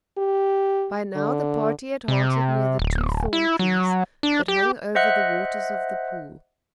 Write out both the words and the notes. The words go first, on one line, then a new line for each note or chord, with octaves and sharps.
By now the party had halted near the two thorn trees that hung over the waters of the pool.
G4
D3
C3
D1
E4
F#3
D4
G4
C5 D#5 E5 F#5 F#6